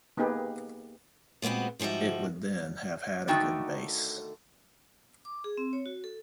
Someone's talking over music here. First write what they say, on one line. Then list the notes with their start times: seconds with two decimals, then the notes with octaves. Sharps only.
It would then have had a good base.
0.17 A#3 B3 D#4 G4 G#4 B4
1.42 A#2 G#3 B3 C4 F#4
1.80 G#2 F3 G3 F#4 E5
3.28 D3 D#3 A3 D#4 F#4 G5
5.25 D6
5.44 G#4
5.57 C4
5.73 C#5
5.86 F#4
6.04 A4